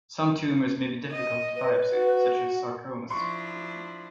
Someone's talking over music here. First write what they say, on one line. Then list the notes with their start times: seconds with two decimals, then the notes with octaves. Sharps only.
Some tumors may be difficult to biopsy, such as sarcomas.
1.12 D#5
1.56 B4
1.92 F#4
3.10 F3 D4 E4 C6 C#6